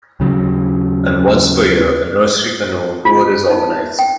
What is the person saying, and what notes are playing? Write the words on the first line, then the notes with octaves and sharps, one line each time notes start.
And once per year, a nursery canoe tour is organized.
D#2 C#3 F#3
F4
D#4
G5